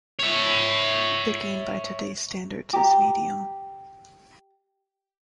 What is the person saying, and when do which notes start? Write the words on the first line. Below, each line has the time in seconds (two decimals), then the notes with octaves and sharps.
The gain by today's standards is medium.
0.19 C#5 E5
2.73 G4 A#5